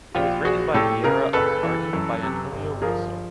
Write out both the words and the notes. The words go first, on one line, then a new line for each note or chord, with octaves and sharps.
It was written by Viera on an argument by Antonio Rosso.
A#1 F4 G4
A#1 F#4 G#4
A2 G4 A4
C#3 G#4 A#4
F#1 A4 B4
E3
F#2
C3
G1
F3 G#4 A#4